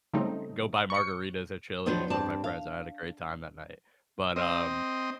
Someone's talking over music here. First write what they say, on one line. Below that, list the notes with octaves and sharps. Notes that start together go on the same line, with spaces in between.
go buy margaritas at Chili's with my friends. I had a great time that night. But, um
C#3 F#3 G3 A3 C4 D#4
C#6 C#7
D#3 F3 F#3 D4 B4 C5
G2 C4 D5 A5
F5
C4 D#5